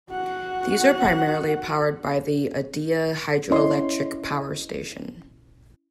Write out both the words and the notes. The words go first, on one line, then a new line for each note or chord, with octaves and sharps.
These are primarily powered by the Edea Hydroelectric Power Station.
F#4 F#5
C#4 E4 C#5 D#5 C6